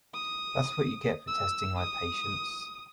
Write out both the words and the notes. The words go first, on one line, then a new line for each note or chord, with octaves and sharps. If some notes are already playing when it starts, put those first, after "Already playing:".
That’s what you get for testing my patience.
D#6
E6
D#6